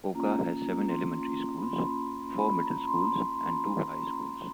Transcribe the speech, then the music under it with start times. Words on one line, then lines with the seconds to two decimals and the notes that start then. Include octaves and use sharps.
Oga has seven elementary schools, four middle schools and two high schools.
0.15 A#3 C#4 F4 A#5
0.89 C6
1.58 B5
1.64 C6
2.38 B5
2.63 A#5
2.87 C6